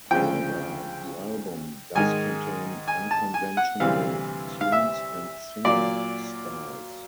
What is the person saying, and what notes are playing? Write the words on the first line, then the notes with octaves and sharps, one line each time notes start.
However, the album does contain unconventional tunes and singing styles.
D2 C#3 F3 G5
G#2 D#3 G#3 G#5
G#5
A5
G#5
F#5
D2 C3 E3 G3 F5
F5
E5
A#2 F#3 A#3 D5